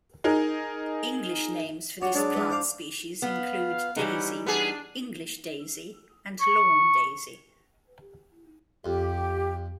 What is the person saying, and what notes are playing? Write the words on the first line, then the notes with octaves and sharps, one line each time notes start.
English names for this plant species include: daisy, English daisy, and lawn daisy.
D#4 G#4 A#4
D4 F#4 C#5
F#3 G#3 D4
E3 G#3 B3
C5 F5 D6
B3 F5
E3 G3 C#4 D#4 B4 F#5
B3 D4 G#4
C#6
F2 G4